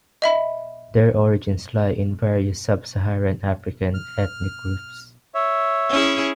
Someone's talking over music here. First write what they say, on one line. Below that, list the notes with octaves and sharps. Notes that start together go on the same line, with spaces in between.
Their origins lie in various Sub-Saharan African ethnic groups.
D#5 E5 B5
F6
C#5 E5
C#4 E4 G#4